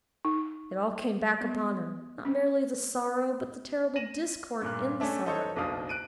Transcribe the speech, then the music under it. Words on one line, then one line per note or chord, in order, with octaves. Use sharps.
It all came back upon her; not merely the sorrow, but the terrible discord in the sorrow.
D#4
B3
C#4
A#6 D#7 E7 F#7
G2 A#2 A#4 F#6
A3 C#4 D4 E5
D#4 A4 C5 C#5
F#1 B1 B2 D4 F5 D#6
F#6 D7 D#7